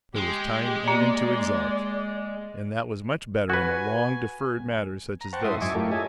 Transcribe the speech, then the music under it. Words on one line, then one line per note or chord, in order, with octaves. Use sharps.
There was time even to exult, and that was much better in a long-deferred matter such as this.
G#3 G4
A#3 D5
F#4 B4 G#5
A#5
C5 F#5 G5 A5 C#6
G#2 E4 E5 A5 C6 D#6
F#2 D#5 E5 G#5 C#6 D6
A3 E4 F4 G4 A4 A#4
G#4 C#5 D#5 E5 G#5 A5